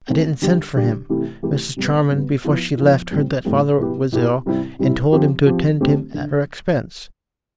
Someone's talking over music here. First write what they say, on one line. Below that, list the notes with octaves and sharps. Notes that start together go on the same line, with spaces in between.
"I didn't send for him Mrs. Charmond, before she left, heard that father was ill, and told him to attend him at her expense."
E3 A3 C4
D3 G3 D4 G4
D3 G3 D4 G4
C3 E3 A3 E4 G4
C3 E3 A3 E4 G4
C3 G3 B3
C3 G3 B3
F3 B3 E4
F3 B3 E4
A2 G3 C4
A2 G3 C4
B2 B3 E4 G4
B2 B3 E4 G4
C3 G3 C4 E4
C3 G3 C4 E4
F3 C4 G4
F3 C4 G4
D3 A3 C4 G4
D3